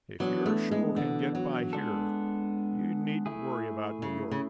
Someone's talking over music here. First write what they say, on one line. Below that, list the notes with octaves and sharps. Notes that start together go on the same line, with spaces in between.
If your show can get by here you needn't worry about New York.
E3 F#3 B3 D4
A3
G#3
D3
F#3
G#3 B3 D4 A4
A3 E4 G#4
C#3
C#3